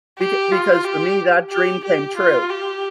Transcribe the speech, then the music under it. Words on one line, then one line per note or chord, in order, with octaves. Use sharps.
beca because for me that dream came true.
G4
F4
G4
G4
G4
F4
G4